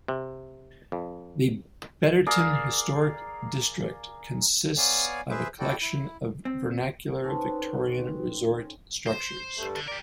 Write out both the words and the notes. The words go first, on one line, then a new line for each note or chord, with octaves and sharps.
The Betterton Historic District consists of a collection of vernacular Victorian resort structures.
C3
F2
G#4 A#4 D5 F5
B3 C#5 D5 F5 G#5
G#4 B4 C5 E5
E4 F#4 A4 D5 G5
E4
C4
C4 C#4 D#4 A4 B4 C6
C5
G2 A3
D3
G4 A#4 D5